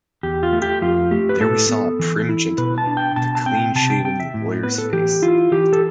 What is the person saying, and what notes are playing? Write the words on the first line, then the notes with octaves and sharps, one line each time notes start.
There we saw a prim gentleman, with a clean-shaven, lawyer’s face.
E2 G4
F4
A3
G4
F2 F4
A3 G4
B4
A2 A4
B3
E3
E4
B2 B4
A5
D4
G5
B2 A5
A5
C4 G5
C3 A5
G5
C4 G5
E5
A2
B3 B4
A4
E3 G4
E4 F4
E3 G4
A4